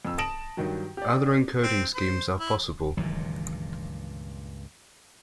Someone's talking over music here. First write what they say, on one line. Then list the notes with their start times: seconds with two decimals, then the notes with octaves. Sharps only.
Other encoding schemes are possible.
0.05 F2 E6
0.18 A5 D#6 A#6 D7 E7 F#7
0.57 G2 D#3 F#3
0.97 G4 D5
1.63 C4
1.95 C5
2.40 E4
2.97 C#2 G2 A#2 D#3 E3 F#3